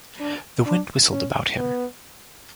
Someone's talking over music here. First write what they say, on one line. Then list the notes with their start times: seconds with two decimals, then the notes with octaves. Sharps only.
The wind whistled about him.
0.20 D4
0.66 D4
1.12 C#4
1.58 B3